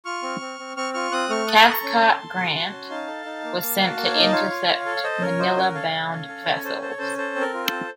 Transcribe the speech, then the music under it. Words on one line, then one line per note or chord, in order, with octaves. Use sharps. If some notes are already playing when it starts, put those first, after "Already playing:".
Cathcart Grant, was sent to intercept Manila bound vessels.
F4 C#6 F6
C4
C4
C4
C4 C#6 F6
F4 C#6 F6
C4 D#6 F#6
A3 C#6 F6
A4 D#6 F#6
A4
A#5 C#6
C#4
A#5
A5 C6
A4
A4
F#4
F#4
C#4
D#4 F5 A5
A4
D#4
A#3
A#3
F#4
A#3
C#5
D#4 D#5
F4 C#5 F5
F4
F4
A4
F5
A4 C5 D#5
C#4 A#4 C#5
F4 C5 D#5
C#4 A#4 C#5
A4 C#5 F5
A4
C#4
A4
C#4 C5
C#5
A4 C5
A4 C5
C#5
C#4 A4 C5
A4 C5
C4
A#4
F4
A4 C5
C4